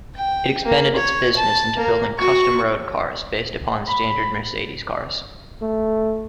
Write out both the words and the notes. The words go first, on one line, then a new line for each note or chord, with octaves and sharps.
It expanded its business into building "custom" road cars based upon standard Mercedes cars.
G5
A#3
C#5
A5
A#3 A#4
F#4 C#6
B5
A3